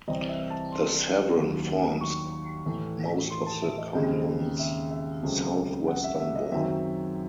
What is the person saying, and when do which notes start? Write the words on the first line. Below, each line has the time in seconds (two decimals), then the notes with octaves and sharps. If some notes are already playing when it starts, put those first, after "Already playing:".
The Sevron forms most of the communes's southwestern border.
0.08 C2 C3 E3 C4 D#5
0.29 E5
0.50 A5
0.72 C6
1.36 D#2 D#3 F#3
2.01 C#6
2.66 A2 E3 A3
3.30 C6
3.46 A5
3.62 E5
3.78 D#5
3.95 D#2 C#3 G#3 C4 D#5
4.59 E5
4.91 E5
5.23 C#2 C#3 F#3 A3 C4
5.88 F#5
6.04 E5
6.20 E5
6.36 D#5
6.52 F#2 D#3 F#3 C4 E5